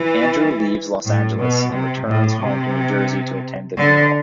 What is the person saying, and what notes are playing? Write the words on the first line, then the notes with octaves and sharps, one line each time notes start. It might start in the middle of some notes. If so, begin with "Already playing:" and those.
Andrew leaves Los Angeles and returns home to New Jersey to attend the funeral.
Already playing: E3
A2
B2
C3
A2
C3
D3